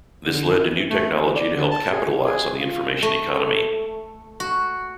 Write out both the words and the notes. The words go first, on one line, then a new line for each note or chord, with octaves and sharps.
This led to new technology to help capitalise on the information economy.
D3
D#3
E3
A3
E3
D5
D3
A5
G#4
D#3
G#4
F4
A3
F#4